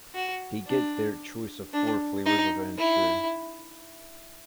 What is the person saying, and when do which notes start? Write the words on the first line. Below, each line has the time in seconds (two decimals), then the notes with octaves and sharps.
They get their choice of four flavors of Ensure.
0.15 F#4
0.67 D4
1.73 D4
2.26 D#4
2.78 E4